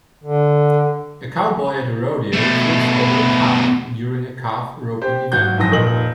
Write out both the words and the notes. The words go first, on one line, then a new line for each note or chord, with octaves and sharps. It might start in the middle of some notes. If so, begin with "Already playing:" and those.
A cowboy at a rodeo flips over a calf during a calf roping event.
D3
B2 A3
G4 C5
G#1 F#4 F#6 G6
F#1 F2 G#2 D#6 A#6
F1 A#2 A#3 D#5 F#7